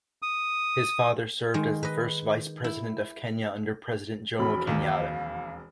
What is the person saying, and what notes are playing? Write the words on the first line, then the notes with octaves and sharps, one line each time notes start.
His father served as the first Vice President of Kenya under President Jomo Kenyatta.
D#6
D#3 G#3
B4 D#5
E4
E1 F2 F#4 B5
D#2 F5